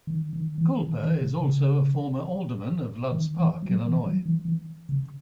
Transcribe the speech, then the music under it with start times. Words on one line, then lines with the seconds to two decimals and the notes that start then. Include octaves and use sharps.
Kulpa is also a former Alderman of Loves Park, Illinois.
0.07 D#3
0.33 D#3
0.58 E3
0.83 D#3
1.02 D#3
1.21 C3
1.40 C#3
3.12 D#3
3.37 E3
3.63 F#3
3.88 E3
4.06 F#3
4.26 E3
4.45 E3
4.89 C#3